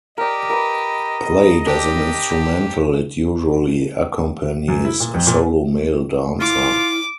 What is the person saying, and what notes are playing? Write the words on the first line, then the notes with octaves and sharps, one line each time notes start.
Played as an instrumental, it usually accompanies a solo male dancer.
G4 A#4 D5 D#5
A#4 B4 D#6
D4 G4
F#2
E4
A#2
F2
A#2
E4 F4 D6